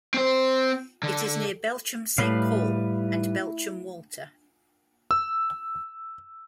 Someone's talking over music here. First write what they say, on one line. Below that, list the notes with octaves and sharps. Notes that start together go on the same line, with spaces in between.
It is near Belchamp Saint Paul and Belchamp Walter.
C4 C5
D3
A2 G3 A3 E4 B4 C#5 F5
E6